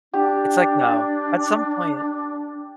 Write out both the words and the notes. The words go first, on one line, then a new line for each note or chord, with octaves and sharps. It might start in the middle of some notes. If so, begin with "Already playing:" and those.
It's like, no, at some point
D4 G4